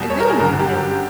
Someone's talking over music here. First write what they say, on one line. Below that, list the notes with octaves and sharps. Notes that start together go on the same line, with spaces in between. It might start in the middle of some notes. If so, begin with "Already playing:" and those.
I really enjoyed it.
Already playing: E2 B2 G3
C#5
A#4
G#4
G1 F#2 D3 A#4
G4